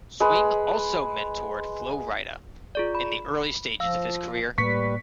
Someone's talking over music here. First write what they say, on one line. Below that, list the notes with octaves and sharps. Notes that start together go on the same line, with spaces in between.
Swing also mentored Flo Rida in the early stages of his career.
G#3 B4
F4 G#4 D5
B5
F3 F5 E6
A2 G3 A#3 B4 C#6 B6 C#7